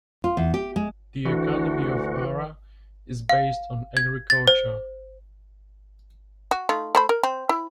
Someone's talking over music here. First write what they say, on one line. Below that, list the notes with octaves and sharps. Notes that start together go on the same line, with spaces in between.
The economy of Hara is based on agriculture.
F4
E2
G4
G#3
D2 E3 D4 F#4
F5
G#6
A6
C5
F#4
A3 D#4 F4
A3 C5 B5
A#4
C4 C5
E4